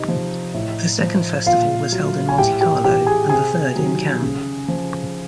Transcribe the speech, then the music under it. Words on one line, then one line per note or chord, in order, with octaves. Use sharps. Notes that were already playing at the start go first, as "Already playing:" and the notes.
The second festival was held in Monte Carlo, and the third in Cannes.
Already playing: C3 D#4 D#5
F3
A2
F3
A#2 F4 F5
F#3
G#5
A2 G4 G5
G4 G5
E3 G4 G5
G#4 G#5
C3 G#4 G#5
D#3 F#3
C#3
F3